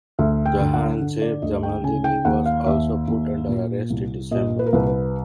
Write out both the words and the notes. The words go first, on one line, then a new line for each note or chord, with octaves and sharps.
Jahanzeb Jamaldini was also put under arrest in December.
D2 E5
G5
D3
F#5
D3
D5
D2 D#5
G5
C#3 G#5
G5
D#2 F#5
F5
D#2 E5
D#2
A#2
C2
A#2 D#5
B4
A#4
C2 B4
B4